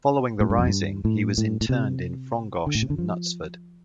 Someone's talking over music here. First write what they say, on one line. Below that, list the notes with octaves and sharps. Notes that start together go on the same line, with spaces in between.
Following the Rising he was interned in Frongoch and Knutsford.
A2
G2
F2
G2
A2
A2
A2
C3
D3
A2
C3
D3
F3